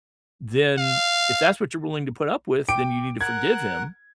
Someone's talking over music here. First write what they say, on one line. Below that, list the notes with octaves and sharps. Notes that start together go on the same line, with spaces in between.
Then, if that's what you're willing to put up with, then you need to forgive him.
F5
G5 D6 D7
A#4 F#5 F#6 G#6